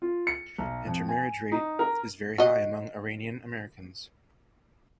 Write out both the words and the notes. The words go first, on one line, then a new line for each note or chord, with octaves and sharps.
Intermarriage rate is very high among Iranian Americans.
F4
C#7
B1
F2
G#5
D#4
A#4
F#4 D#5